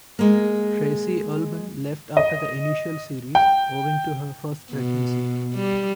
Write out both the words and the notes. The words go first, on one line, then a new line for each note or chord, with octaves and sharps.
Tracey Ullman left after the initial series owing to her first pregnancy.
G#3 A#3
D#5
G5
B2
G3